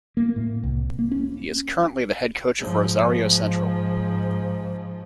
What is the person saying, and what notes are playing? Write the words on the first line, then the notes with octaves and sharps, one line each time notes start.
He is currently the head coach of Rosario Central.
A#3
A2
C2
A#3
C#4
G#2 F3